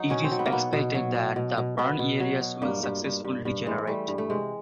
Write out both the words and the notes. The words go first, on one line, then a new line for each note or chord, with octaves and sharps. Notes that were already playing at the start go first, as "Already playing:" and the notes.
It is expected that the burned areas will successfully regenerate.
Already playing: F#3 D#4
B2 C#4
C4
F#3
B3
A#3
B2 B3
B2
F#3
B2
B2
B2
B2 B3
B2
F#3
B2
G2 A#3
G2
G2
G2
G2
E3 G#3
G3 A3
G2
A3
C3 G#3